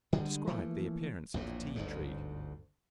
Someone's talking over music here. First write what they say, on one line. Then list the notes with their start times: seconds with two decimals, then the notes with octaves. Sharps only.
Describe the appearance of the Tea-tree.
0.13 D3 G3 G#3
0.47 E3 F3 A3 A#3
1.34 A#1 E2 A2
1.76 G1 D2 G#2